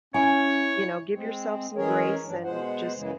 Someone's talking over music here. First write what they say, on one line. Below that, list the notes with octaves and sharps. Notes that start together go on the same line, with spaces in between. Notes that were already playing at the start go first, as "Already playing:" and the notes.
you know, give yourself some grace and just
C#4 E4 C#5 G#5
G#3 C4
E3 G#3 C#4 G#4 A#4 C#5
G2 E3 F#3 D4
B2 G#3 C5 F#5
F#2 C#3 E3 G#3